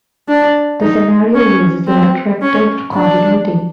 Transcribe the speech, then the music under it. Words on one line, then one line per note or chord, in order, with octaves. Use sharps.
The scenario uses retroactive continuity.
D4
D#4
C#4
C4
C#4
D4